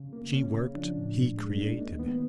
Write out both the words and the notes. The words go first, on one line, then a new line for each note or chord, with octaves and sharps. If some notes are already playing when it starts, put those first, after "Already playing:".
She worked; he created.
Already playing: C#3
A#3
C#3 C#4
C#3
F3 D4
A2
A2
G#3
A#3 D4
A#3 D#4
D#3 B3